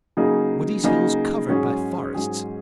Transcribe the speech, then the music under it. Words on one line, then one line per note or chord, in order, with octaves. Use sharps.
Were these hills covered by forests?
C#3 F#3 A#3 D#4 G#4
C#3 F#3 A#3 D#4 G#4
G#2 F#3 C#4 G#4
G#2 F#3 C#4 G#4